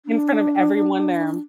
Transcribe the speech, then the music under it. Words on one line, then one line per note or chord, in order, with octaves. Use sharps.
in front of everyone there,
D4